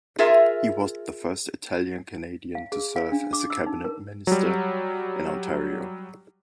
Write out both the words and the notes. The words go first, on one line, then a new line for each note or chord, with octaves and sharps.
He was the first Italian-Canadian to serve as a cabinet minister in Ontario.
F4 G#4 A#4 E5
F5
G#4
F5
D4
D6
E6
D#4
A#4
F#3 G3